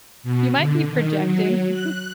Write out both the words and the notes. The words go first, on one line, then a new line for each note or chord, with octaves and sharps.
You might be projecting.
B2
D3
D#3
F#3
F#6